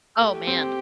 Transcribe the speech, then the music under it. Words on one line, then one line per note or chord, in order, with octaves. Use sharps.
Oh man.
A3 G4
C4